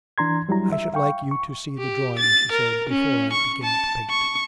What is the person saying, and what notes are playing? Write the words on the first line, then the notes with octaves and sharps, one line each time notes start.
'I should like you to see the drawing,' she said, 'before I begin to paint.'
E3 D4 A#5 C6 G#6
F#3 G3 E4 A#5
E5
F5 G5 C#6
C#6
G4
A6
A#4
C#4
C#6
A5
C#6